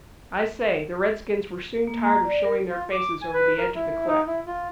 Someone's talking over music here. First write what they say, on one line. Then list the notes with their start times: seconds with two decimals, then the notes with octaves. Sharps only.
I say, the redskins were soon tired of showing their faces over the edge of the cliff.
1.87 A#3
2.04 A#5
2.25 D5
2.45 A#4
2.70 F4
2.92 D6
3.22 G#5
3.34 B4
3.57 A#4
3.75 E4
4.07 D#4
4.27 E4
4.47 F4